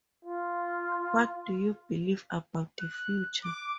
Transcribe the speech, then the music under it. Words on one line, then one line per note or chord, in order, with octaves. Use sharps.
What Do You Believe About The Future?
F4
F#6
D6